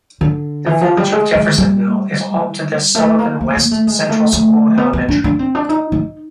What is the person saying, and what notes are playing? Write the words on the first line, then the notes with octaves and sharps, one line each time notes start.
The Village of Jeffersonville is home to the Sullivan West Central School elementary.
D3
E3
F3
G3
G#3
G#3
G3
A3
A#3
A#3
A#3
A3
G#3
A3
A3
B3
B3
D4
D4
C4
D4
D#4
D#4